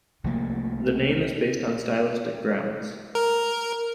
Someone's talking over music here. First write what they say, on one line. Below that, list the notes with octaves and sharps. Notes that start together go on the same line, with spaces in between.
The name is based on stylistic grounds.
C2 F3 A3 A#3
A#4